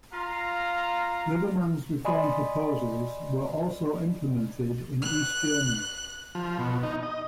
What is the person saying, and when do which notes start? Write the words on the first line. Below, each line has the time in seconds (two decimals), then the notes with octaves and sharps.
Liberman's reform proposals were also implemented in East Germany.
0.13 F4 F5 A#5
2.05 D5 D#5 G#5 B5 C6 D#6
5.01 F#6
6.35 F3
6.59 B2
6.83 D#4
7.03 D#5